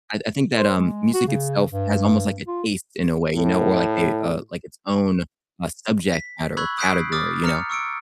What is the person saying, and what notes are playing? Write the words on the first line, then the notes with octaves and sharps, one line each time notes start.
I I think that, um, music itself has almost like a taste in a way, you know, or like a, uh, like its own, uh, subject matter or category, you know?
C5
G#3
F#4
C#3
G2
F4
A2
B6
B5 C#6 E6 F#6 G#6 F#7
D#6 F#6 G6 B6 C7 D7
D6 D#6 F6 A6
A#5 F6 C#7
C#6 E6 C#7 D7